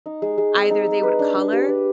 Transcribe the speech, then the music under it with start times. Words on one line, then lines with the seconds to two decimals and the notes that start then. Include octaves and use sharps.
either they would color
0.06 D#4
0.22 G#3
0.38 G#3
0.55 C4
0.70 D#4
0.86 G#3
1.03 B4
1.19 D4
1.35 D4
1.52 G4
1.69 B4